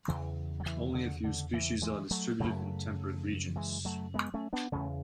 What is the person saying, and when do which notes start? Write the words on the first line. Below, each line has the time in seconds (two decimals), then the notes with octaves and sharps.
Only a few species are distributed in temperate regions.
0.08 E2 C#3 E3
0.60 F#3
0.66 E3
0.94 D3
1.24 D3
1.53 E3
1.82 E3 G#3
2.11 F#3 A3
2.40 F#2 C#3 F#3 A3
3.56 E3 G#3
3.85 F#3 A3
4.14 G#3 B3
4.34 A3 C#4
4.53 B3 D4
4.72 E2 C#3 A3 C#4